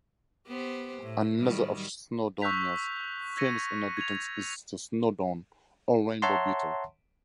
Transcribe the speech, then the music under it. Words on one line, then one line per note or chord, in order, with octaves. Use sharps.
Another of Snowdonia's famous inhabitants is the Snowdon or rainbow beetle.
B3 G4 C5
A2
D#3 F#3 G3
C#6 E6 F#6 G6 B6 F7
E6 G#6 A#6 C#7 D#7
G#6 F7
C#5 E5 F#5 A5 A#5 C6